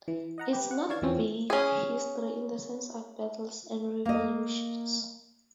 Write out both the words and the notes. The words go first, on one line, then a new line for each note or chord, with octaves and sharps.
It's not "big" history in the sense of battles and revolutions.
E3
D#5 F#5 A#5
G4 B4
F#5
E3 D4 C#5 F5 A5 G#6
E2 E3 F3 C4 C#4
C#4 G#4
A#3 D#5